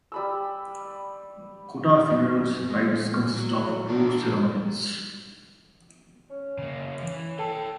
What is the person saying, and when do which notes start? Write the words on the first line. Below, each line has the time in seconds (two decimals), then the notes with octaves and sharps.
Kota funeral rites consist of two ceremonies.
0.12 G3 B5 E6
2.10 F#2
2.70 G#3
3.36 F#3
3.89 D4 A#4
6.30 C#4
6.58 C#3 A#3
7.02 E3
7.39 A4 C#5 G5